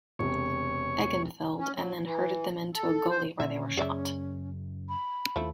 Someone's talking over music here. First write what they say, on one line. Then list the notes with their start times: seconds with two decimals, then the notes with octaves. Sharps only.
Eggenfeld and then herded them into a gully, where they were shot.
0.19 E1 C3 C#5
1.60 C#4
1.75 F#3
2.04 E3
2.74 A4
3.10 C5
3.40 A#2 D3 D#3 C#4 E5
3.77 F#2 C#3 G#4 D5 E5
4.89 B5
5.36 D#2 F3 A3 E4